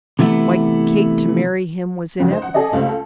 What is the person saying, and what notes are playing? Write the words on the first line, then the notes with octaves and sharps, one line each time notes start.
Why, Kate, to marry him was inevitable!
C3 E3 A3 B3 E4
G#1 F2 C#3 F#4
D#4 C5
F#5
G#4 A4 D5 D#5
C#2 G3 A3 C4
A4